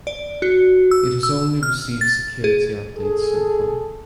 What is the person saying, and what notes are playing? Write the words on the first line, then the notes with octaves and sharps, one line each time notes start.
It has only received security updates so far.
D5
F#4
E6
E6
F6
A6
G#4
G#4 A4